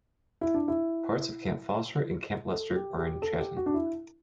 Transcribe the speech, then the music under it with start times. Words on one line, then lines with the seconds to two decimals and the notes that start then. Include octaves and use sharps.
Parts of Camp Foster and Camp Lester are in Chatan.
0.41 E4
0.54 D4
0.68 E4
2.51 A4
2.75 G4
2.98 G4
3.22 A4
3.39 G4
3.57 F#4
3.66 D4
3.74 E4